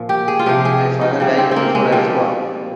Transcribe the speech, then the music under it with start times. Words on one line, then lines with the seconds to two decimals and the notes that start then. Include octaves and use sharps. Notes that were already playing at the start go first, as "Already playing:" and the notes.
My father died before I was born.
Already playing: A#2 F3
0.09 G4
0.28 G#4
0.39 F4
0.46 C3 F3 G4
0.65 G#4
1.01 D#4
1.20 C#3 G3
1.38 C4
1.51 A#3 C4
1.75 G#3
1.92 A#2 F3 G3